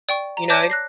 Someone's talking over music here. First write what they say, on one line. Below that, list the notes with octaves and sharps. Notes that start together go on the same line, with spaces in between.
you know?
D5 G5 C#6
A#5
C#5 D5 A5 D6 G6 A#6
F#6 A#6 C7